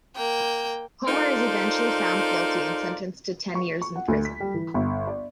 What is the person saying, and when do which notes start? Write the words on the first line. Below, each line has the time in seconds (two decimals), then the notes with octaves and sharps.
Homer is eventually found guilty and sentenced to ten years in prison.
0.16 A#3 G5
1.08 D#4 F4 A4 A#4 C5 D5
3.55 C#6
3.82 C#6
3.96 F#5
4.08 D2
4.25 B6
4.40 G3
4.54 E3
4.74 G1
5.07 D5